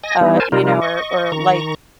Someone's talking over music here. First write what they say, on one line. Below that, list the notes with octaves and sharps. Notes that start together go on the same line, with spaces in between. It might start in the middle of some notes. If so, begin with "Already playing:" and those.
uh, you know, or or, like,
D#5 G#5 A#6
E3 G3 B3 D#4
A#4 C5 G#5 A5
C3 G3 D#4 F4 A#4
D#5 C#6
D#3 A#5 C#6